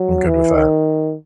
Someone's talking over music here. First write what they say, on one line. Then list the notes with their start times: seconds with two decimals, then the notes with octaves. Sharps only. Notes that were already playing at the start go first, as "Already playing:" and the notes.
I'm good with that.
Already playing: F#3
0.27 E3
0.55 D#3